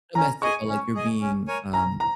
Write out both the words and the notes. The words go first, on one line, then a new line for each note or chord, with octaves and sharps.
not messed up, but, like, you're being, um,
C#4 A#5
G#4 D#5 G#5 C#6
C#4
G#4 D#5 G#5
C#4
A#4 C#5 G#5
C#4 A#5
A#5